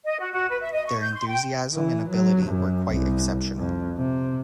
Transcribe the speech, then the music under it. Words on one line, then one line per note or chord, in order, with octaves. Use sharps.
Their enthusiasm and ability were quite exceptional.
D#5
F#4
F#4
B4
E5
D#5
C#6
G6
C6
G5
E3
F#3
F#2
C2
F2
C3